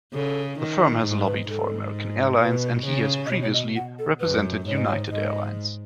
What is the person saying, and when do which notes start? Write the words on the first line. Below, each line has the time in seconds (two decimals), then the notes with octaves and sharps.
The firm has lobbied for American Airlines, and he has previously represented United Airlines.
0.14 C#3 A4
0.59 D#3
1.03 G#2
1.26 B4
1.49 G#2 A4
2.40 B2 B4
2.86 C#3
3.26 D#5
3.31 B2 C#5
3.42 C#5
3.54 D#5
3.76 F#5
3.99 A4
4.21 F#2 B4
4.66 G#2 C#5
4.78 D#5
4.89 C#5
5.12 G#2 D#5